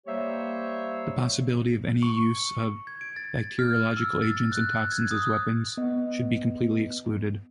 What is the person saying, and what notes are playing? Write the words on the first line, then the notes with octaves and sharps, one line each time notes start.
The possibility of any use of bacteriological agents and toxins as weapons should be completely excluded.
G3 A#3 G4 C5 C#5 E5
C#6
G#6
D7
A6
F6
E6
A6
F#6
G#6
D#6
B3 D#5